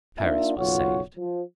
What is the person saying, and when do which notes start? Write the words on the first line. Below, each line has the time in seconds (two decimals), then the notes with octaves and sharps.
Paris was saved.
0.19 A#3 D4 D#4 F4 E5
0.58 F#1 B1 F4 C#5 F#5
1.17 F3